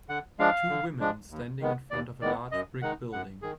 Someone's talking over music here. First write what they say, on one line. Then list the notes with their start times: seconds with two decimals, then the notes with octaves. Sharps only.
Two women standing in front of a large brick building.
0.09 D3 F#5
0.39 F3 G#3 D4 F5
0.69 D3
1.00 F3 G#3 D4
1.31 D#2
1.60 D#3 G#3 B3
1.91 D#2 D5
2.21 D#3 G#3 B3 D5
2.51 F#2 D#5
2.81 D#3 G#3 D#4 F#5
3.12 F#2 F#5
3.42 D#3 G#4